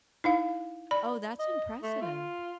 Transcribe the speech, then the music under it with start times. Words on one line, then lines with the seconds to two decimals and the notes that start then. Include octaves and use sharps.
Oh, that's impressive.
0.24 D#4 E4 F5
0.91 D5 B5
1.39 D#5
1.83 A3
2.02 F4